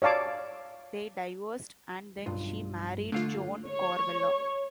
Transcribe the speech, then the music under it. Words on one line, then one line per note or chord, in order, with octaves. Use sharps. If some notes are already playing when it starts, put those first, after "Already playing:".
They divorced and then she married Joan Corbella.
C#5 D5 F5 A5 D6
B1 G2 F4
D3 A3 F4 F5
C#5